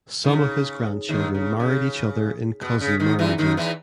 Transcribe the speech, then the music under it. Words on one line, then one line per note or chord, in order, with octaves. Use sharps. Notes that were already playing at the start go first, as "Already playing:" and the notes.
Some of his grandchildren married each other in cousin marriages.
D#3
C#3
D#2 D#3
C#3
C#3
B2
C#3
D#2 D#3
E2 E3
D#2 D#3
E2 E3